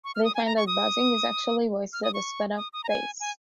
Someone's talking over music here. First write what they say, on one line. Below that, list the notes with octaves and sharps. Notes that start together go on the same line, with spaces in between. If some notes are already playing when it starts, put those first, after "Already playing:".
They find that the buzzing is actually voices at a sped-up pace.
C#6
F6
D#6
G#5
A#5
C#6
D#6
F6
D#6
C#6
D#6
D#6
A#5
G#5
G#5